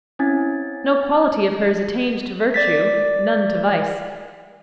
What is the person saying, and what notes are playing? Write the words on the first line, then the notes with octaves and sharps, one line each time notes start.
No quality of hers attained to virtue, none to vice.
C4 C#4 E4 G#5 G#6 A6
D5 A6 B6